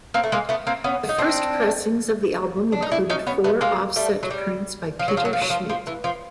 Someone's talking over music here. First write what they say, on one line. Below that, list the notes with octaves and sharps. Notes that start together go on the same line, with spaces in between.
The first pressings of the album included four offset prints by Peter Schmidt.
A#3 C4
A3
G#3 A#3
A3 B3
A#3 C4
B3 C#4
D#4
C4 D4
D4
D#4
D4 E4
C#4 D#4
B3 C#4
A3 B3
G#3 A#3
G3 A3
F#3
G3
F3
F#3
F3
F#3
F3
F#3
F3
F3
E3
F3